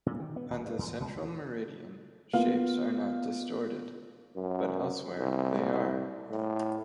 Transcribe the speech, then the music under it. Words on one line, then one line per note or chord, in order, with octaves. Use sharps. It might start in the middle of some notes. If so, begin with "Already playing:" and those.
On the central meridian, shapes are not distorted, but elsewhere they are.
A#2
D#3
B3
D#1
G2
E2
C#2
D2
A#3 B3 F4 F5
F#2
C2
A2